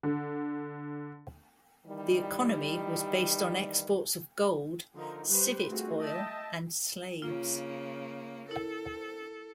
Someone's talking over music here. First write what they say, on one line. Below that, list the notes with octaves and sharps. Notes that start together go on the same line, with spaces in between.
The economy was based on exports of gold, civet oil, and slaves.
D3
D#3 E3 G3
D3 F3 D#4 A#4
G3 B4 C5
A3 C4 F4 F#4 G#4
D#5 E5 G5 A5
C#3 A#3 F4
E4 A4 A#4